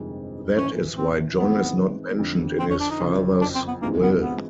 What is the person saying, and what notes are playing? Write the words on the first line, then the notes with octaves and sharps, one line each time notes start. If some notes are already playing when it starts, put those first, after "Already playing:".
That is why John is not mentioned in his father's will.
Already playing: G1 F2 C3 D#3 G#3
A#1 A2 E3 C#4
C4
G#2 E3 G#3 B3 C4
F2 D3 F3
C4
C#4
D4
D#4
F#1 F2 C#3
D4
C4
B3
G2 E3 G#3 A#3 C4 F4
B3
B3